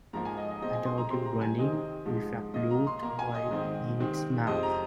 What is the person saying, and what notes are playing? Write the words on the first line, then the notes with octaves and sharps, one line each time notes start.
A dog running with a blue toy in its mouth.
G#2 F3 A#3 A#5
G#5
D#5
D#5
A#2 G#3 C4 D#5
G#5
C6
A#5
C3 G#3 C4 C6
A#5
G#5
C3 D#3 C4 D#5
G#2 F3 G#3
A#2 A#3 D#5
A#5
C6
A#2 A#3 A#5
G#5
D#5
G#2 D#3 C4
C3 D#3 C4
F2 C3 G#3 C4 D#5
A#5